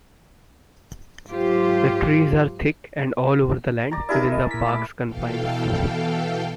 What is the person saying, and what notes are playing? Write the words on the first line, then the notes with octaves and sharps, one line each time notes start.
The trees are thick and all over the land within the park's confines.
G#2 F#3 F4 G4 C5
D5 A#5
D#4 E4 G4 G#4 A#4 D5
D#5
A#2 B6
A3 D5 D6
B2 E3 A4 F5 G5